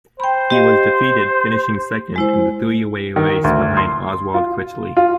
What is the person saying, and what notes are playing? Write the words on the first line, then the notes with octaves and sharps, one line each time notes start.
He was defeated finishing second in the three way race behind Oswald Critchley.
C5 G5 B5
G4 D#5 F5
G#3 E4 C5
D#3
D2
C6
F4
F4